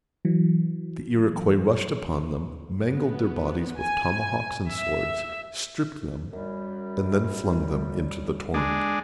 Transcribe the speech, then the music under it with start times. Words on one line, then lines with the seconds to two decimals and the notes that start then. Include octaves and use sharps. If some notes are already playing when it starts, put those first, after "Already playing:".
The Iroquois rushed upon them, mangled their bodies with tomahawks and swords, stripped them, and then flung them into the torrent.
0.25 E3 F#3
2.83 B3
3.78 G#5
4.68 E5
6.32 F#2 G3
8.54 G#3 D4